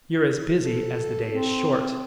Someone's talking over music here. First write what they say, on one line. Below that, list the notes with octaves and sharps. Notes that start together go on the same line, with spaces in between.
"You're as busy as the day is short!"
A4
C4